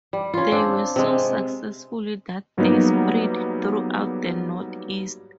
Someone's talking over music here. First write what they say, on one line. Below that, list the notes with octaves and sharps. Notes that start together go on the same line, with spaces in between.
They were so successful that they spread throughout the Northeast.
G3
C#4 F4
C4 D4
C3 G#3
G#2 F#3 G3 A#3 B3 D#4